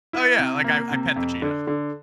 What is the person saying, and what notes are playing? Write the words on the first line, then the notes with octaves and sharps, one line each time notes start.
Oh yeah, like I I pet the cheetah.
E4
C3
A#3
C3
F2
D3
D3